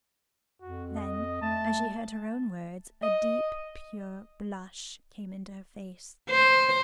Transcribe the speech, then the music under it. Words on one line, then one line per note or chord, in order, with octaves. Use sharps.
Then, as she heard her own words, a deep, pure blush came into her face.
F2 F#4
D#5
A3 A5
D#5
C5